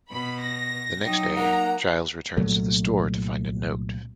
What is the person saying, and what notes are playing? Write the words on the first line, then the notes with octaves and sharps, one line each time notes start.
The next day, Giles returns to the store to find a note.
B2 B5
A#6
F#3 D#4 G5
A#3 F#5 A#5
C2 A#2 F#3 A3